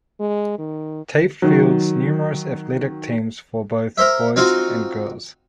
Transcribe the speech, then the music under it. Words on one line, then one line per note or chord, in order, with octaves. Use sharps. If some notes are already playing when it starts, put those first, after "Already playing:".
Taft fields numerous athletic teams for both boys and girls.
G#3
D#3
D#3 F#3
A#4 C5 E5
C4 D#4 F4 F#4 C5